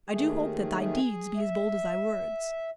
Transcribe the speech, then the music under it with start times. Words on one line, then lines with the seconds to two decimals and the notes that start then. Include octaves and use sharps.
"I do hope that thy deeds be as bold as thy words."
0.09 D#2 D#3 A3 G#4
0.73 G#4
1.36 E5